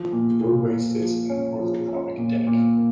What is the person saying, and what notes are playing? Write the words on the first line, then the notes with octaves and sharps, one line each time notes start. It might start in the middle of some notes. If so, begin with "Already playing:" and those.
The roadway sits on an orthotropic deck.
Already playing: F3
A#2
A#2
A#2
F3
C#4
F3
C#4
A#2
A#2
A#3